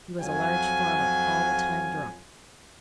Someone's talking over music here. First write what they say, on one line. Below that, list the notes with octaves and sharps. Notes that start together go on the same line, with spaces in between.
He was a large farmer, all the time drunk.
F2 F#3 F4 G#5